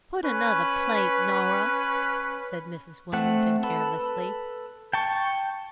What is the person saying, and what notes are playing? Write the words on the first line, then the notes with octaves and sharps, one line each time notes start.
"Put another plate, Norah," said Mrs. Wilmington carelessly.
C#4 B4
A3 C4 F#5
A4 B4
G5 A5 C#6